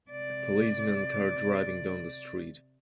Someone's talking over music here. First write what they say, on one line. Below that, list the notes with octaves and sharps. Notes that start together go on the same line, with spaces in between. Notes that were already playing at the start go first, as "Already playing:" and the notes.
The policeman car driving down the street.
C3 D5